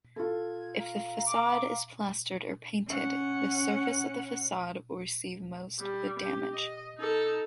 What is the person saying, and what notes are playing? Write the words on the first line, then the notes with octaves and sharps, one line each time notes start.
If the facade is plastered or painted, the surface of the facade will receive most of the damage.
F4 A4 G#6
F5 A#5
D6
C#4 F#5
G3
G4
D#5
D#4 A4